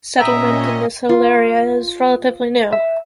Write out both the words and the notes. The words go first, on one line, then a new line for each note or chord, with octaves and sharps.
Settlement in this hilled area is relatively new.
A#2 C#4 D#5 E5 G5 A#5 D#6
F4
E5